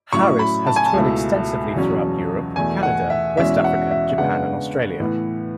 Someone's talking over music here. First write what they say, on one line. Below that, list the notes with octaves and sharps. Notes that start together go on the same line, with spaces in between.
Harris has toured extensively throughout Europe, Canada, West Africa, Japan and Australia.
A2 F#3 C#4 E4 C#6
B5
A5
G#5
A5
C#2 B2 A3 E4
E2 B2 F#3 C#4
E2 B2 A3 G#5
F#5
E5
E2 B2 G#3 C#4 E4 E5
F#5
E5
E5
C#3 G#3 B3 D4 F#5
A2 E3 B3